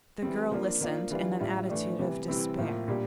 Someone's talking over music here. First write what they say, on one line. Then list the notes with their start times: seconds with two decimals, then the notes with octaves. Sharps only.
The girl listened in an attitude of despair.
0.22 E3 G3 C4
0.51 F3 A#3 D4 F4
0.81 F3 A#3 D4 F4
1.11 E3 G3 D4 F4
1.40 A2 G3 D4 F4
1.70 E3 A3 D4
1.99 C3 E3 G3
2.28 C3 E3 G3 C4 E4
2.58 A2 F3 A#3
2.87 A#2 G3 D4 G4